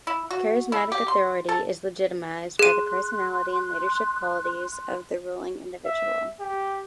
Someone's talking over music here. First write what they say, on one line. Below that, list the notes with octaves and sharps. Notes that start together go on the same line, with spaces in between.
Charismatic authority is legitimized by the personality and leadership qualities of the ruling individual.
E4
F#4
E4
G4
C6
A4
G#4 C6 F#6 D#7
E5
G4